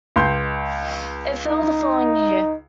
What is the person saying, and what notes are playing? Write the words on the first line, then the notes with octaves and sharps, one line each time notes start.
It fell the following year.
C#2 C6 G6
D#4